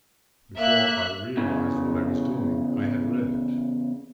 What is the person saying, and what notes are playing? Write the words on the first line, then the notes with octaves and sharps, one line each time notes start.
Before I realized what I was doing, I had read it.
A#3 E5 F#6
E2 C#3